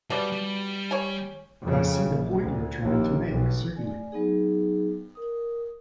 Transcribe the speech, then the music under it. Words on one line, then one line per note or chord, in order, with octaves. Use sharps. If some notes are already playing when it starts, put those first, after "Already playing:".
I see the point you are trying to make, certainly.
B2 G3 D5
G3
C#5 G#5
F2 C#3
A#1
D2
A#1 D#2
B1
A3 D5 G#5
F#3 B3 D#4 G#4
A#4 D#6